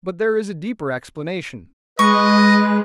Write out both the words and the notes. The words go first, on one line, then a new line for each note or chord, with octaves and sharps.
But there is a deeper explanation.
G#3 B4 D#5 C#6